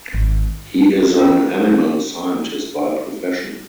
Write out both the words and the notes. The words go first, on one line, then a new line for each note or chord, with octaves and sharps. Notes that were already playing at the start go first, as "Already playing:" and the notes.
He is an animal scientist by profession.
G#1
C#4 F4 A#4